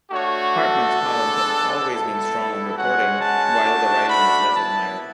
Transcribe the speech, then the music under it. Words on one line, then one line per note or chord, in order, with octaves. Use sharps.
Hartman's columns have always been strong on reporting, while the writing is less admired.
A3 D4 F#4 C#5
A4
G#3 B3 D4
B3 E4 A4
G#3 C#4 F#4 F#5
A5
A3 D4 F#4
B5
B3 E4 A5